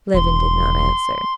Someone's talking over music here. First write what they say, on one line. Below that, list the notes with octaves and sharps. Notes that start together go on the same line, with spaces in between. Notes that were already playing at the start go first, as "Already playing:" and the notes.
Levin did not answer.
E1 C6